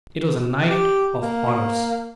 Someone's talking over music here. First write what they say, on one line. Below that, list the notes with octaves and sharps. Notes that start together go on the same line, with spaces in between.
It was a night of horrors.
G4
A#3